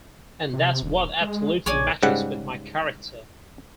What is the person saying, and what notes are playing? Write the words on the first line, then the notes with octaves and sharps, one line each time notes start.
And that's what absolutely matches with my character.
C3
D#1
G#3
A#1 C#5 D5 G#5
G#2 C#3 G3 F#5